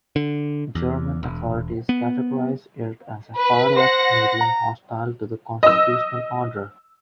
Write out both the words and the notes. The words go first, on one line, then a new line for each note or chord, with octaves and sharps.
German authorities categorize it as a far-left medium hostile to the constitutional order.
D3
E2
E1
B3
B4
C5 F#5 A#6
A#5
D#5 E6